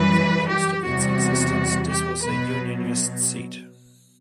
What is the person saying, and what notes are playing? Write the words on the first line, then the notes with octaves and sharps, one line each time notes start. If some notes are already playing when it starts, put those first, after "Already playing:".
For most of its existence, this was a Unionist seat.
Already playing: F#2 E3 G3 B4
G4
E2 C3 G3 F#4
G4
B2 F#3 B4